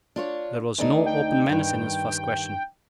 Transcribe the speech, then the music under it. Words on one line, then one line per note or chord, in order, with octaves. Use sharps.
There was no open menace in his first question.
D4 F4 C#5
D2 D4 D#4
G5
G2 D#3